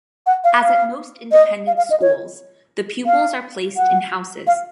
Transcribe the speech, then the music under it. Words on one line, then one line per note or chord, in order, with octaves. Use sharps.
As at most independent schools, the pupils are placed in houses.
F#5
F5
F5
D#5
F5
F5
D#5
C#5
F5
F#5
F5